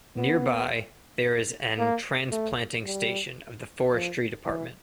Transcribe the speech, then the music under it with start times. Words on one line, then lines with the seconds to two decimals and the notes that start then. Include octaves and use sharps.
Nearby, there is an transplanting station of the Forestry Department.
0.17 B3
1.78 A#3
2.32 A3
2.86 G3
3.94 F3
4.47 E3